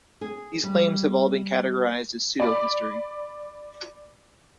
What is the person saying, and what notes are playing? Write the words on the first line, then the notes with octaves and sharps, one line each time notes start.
These claims have all been categorized as pseudohistory.
G#4
G3
D5 B5 D6